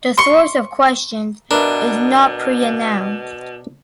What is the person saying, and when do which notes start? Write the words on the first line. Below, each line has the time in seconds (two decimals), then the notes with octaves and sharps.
The source of questions is not pre-announced.
0.18 C6 C#6
1.51 B2 D4 A#4 B4 E5